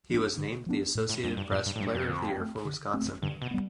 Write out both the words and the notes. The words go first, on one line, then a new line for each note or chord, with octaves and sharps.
He was named the Associated Press Player of the Year for Wisconsin.
F3 B3 D4
D3
F3 B3 D4
A2
A2
F2 G3 B3 D4
G2
F2 A2
G2
A2
G2 G3 B3 D4
F2
D3
A3 C4
D3
A3 C4
G2 D3
B2
G3 B3